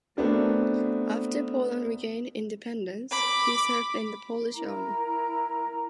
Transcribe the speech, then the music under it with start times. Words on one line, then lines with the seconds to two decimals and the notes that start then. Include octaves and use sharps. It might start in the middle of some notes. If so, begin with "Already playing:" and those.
After Poland regained independence, he served in the Polish Army.
0.17 A3 B3 C4 D4 F#4 A#4
3.11 B5 D6
4.56 E4 A#4 A#5